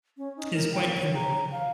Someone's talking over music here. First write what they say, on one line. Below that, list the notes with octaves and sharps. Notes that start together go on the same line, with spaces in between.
is quite pivotal.
C#4
D#4
A#4
G5
C#5
A#5
F5